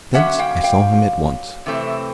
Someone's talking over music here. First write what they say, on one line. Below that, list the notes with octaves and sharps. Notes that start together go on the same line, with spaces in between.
Thence I saw him at once.
D3 F#3 A#3 C#4 E5 F#5
F5 G5
F5 G5
C3 E3 A3 C4